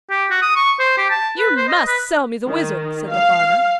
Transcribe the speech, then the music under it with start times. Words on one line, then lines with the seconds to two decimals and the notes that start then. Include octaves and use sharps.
'You MUST sell me the wizard,' said the farmer.
0.10 G4
0.30 F#4
0.42 D#6
0.55 C#6
0.79 C5
0.97 G4
1.10 A5
1.38 B4
1.56 C5
1.68 D#5
1.87 B4
2.48 D#3
3.10 F5